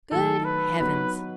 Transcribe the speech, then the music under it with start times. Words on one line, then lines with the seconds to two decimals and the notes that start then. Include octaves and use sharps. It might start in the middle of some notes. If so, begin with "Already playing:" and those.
"Good Heavens!"
0.11 D#3 F#3 A3 A4
0.45 B4
0.79 F#3 B3 D#4 B4